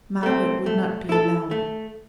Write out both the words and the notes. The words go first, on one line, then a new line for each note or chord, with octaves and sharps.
Margaret would not be alone.
A3 C4
A3
E4 A4
A3